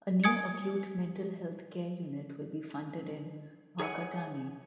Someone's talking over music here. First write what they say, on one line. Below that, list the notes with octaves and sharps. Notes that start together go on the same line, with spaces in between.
A new acute mental health care unit will be funded in Whakatane.
G#5 D#6 G#6 C#7
G#4 C#5 E5 F#5 G#5